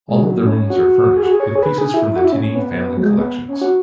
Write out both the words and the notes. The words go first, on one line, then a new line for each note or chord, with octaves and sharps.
All of the rooms are furnished with pieces from the Tinney Family collections.
G#3
F#3
C#4
F#4
G#4
F#4
G#4
C#5
G#4
B4
G#4
E4
E4
F#4
E4
C#4
B3
B3
F#3
G#3
B3
C#4
F#4